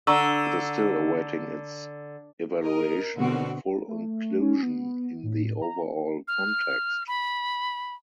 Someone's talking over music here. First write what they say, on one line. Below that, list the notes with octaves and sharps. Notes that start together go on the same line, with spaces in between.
It is still awaiting its evaluation and full inclusion in the overall context.
D3 A#5 C#6 E6
A#4 D#5
B2 D3 B3 C4 F#4
A3
C#4
B3
A2
A#5
F6
B5